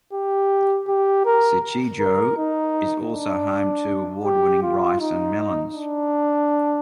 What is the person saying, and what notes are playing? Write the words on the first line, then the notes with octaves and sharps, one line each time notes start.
Shichijo is also home to award-winning rice and melons.
G4
G4
A#4
A#4
D#4
D4
G4
F4
D#4
D4